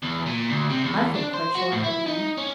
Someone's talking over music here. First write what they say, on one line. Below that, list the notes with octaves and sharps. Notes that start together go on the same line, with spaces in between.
"I feel quite sure of it now."
E2
A#2
D2
C3
E2
D4
C5
F#4
A2
E4
D#4
C#4